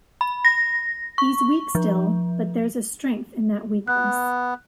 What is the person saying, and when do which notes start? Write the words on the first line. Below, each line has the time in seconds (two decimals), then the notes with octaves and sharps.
He's weak still, but there's a strength in that weakness.
0.21 B5
0.45 A#6
1.18 C#6
1.75 F3
3.87 B3 F#6